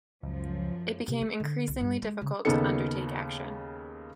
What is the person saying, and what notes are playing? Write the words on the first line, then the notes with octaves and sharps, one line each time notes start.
It became increasingly difficult to undertake action.
C#2 F#2 F3
C3
A3
D3
C2
G2
G#3
C#3
D#2 C#3 B3 D#4 A4 C#7